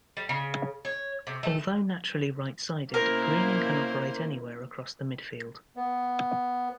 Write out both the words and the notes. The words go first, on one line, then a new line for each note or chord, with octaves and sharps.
Although naturally right-sided, Greening can operate anywhere across the midfield.
G3
C#3
C#5
C3
A3
B2 A#3 C#4 E4 A#4 C5
B3